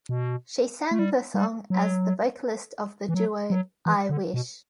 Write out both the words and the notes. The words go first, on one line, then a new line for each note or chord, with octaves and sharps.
She sang the song as the vocalist of the duo I Wish.
B2
A3
G3
G3
F#3
E3
F#3
F#3
E3
D3
B2